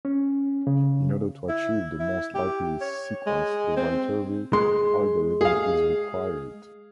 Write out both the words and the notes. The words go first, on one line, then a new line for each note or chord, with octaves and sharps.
In order to achieve the most likely sequence, the Viterbi algorithm is required.
C#4
C#3
E4
E4
G4
C#5
G#3
C4
G#3 C6
G#4 F5